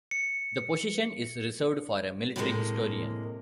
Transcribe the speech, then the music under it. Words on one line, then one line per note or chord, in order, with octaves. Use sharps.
The position is reserved for a military historian.
C#7
A2 C3 F3 G3 G#3 A#3